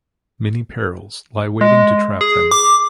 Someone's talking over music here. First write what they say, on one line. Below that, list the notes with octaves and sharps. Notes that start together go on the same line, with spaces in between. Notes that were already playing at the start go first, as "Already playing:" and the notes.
Many perils lie waiting to trap them.
G#3
G#4
D6